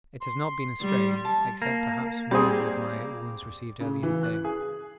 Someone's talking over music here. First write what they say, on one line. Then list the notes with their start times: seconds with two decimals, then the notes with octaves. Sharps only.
It has not been a strain, except perhaps for me with my wounds received early in the day.
0.21 C6
0.81 G3
1.25 A5
1.62 A#3
2.31 G3 C4 G#4 D5
3.80 C#3
4.03 E3
4.23 F#6
4.45 G#4